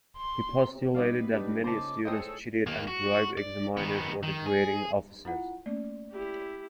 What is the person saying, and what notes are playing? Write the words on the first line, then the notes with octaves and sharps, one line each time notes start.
He postulated that many students cheated and bribed examiners or the grading officers.
C6
G3 D#4 B4 D5 F5
B3 D4 D#4 G4
C#3 C#4 D#4 C5 A5 D6
G#4 A4 C5 C#5 D#5 G5 D#6
D#3 A#3
F#4
D5
D#3 B3
D#3
G#4
E4 F4 F#5
A3 A#3 C#4 D5
E4 G4